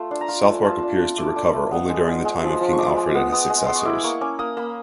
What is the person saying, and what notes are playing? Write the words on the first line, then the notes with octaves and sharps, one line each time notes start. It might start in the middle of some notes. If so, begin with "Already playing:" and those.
Southwark appears to recover only during the time of King Alfred and his successors.
Already playing: A3 F4
D4 C6
A#5
F4 B5
A3 G#5
F4 A5
D4
D4
A3 D6
D4 D6
A3
B3
G#3
G#3
G#3
F3
F3
C#6
G#3 D6
G#3
B3
B3 D#6
G#3
B3 C6
C#6
E4 D6
A#3 C#6
C#4 D6
A#3 D#6
A#3 B5